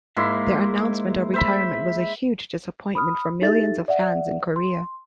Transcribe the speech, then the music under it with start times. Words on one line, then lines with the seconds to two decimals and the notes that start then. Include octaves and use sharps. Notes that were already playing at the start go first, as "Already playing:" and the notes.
Their announcement of retirement was a huge disappointment for millions of fans in Korea.
0.16 G#2 A#3 E4 C6
1.34 C5 E5 B5
2.95 B5 D#6 F6
3.41 D#4 E4 G4 A4 E5 A6
3.88 D5 E5 F#5
4.56 C6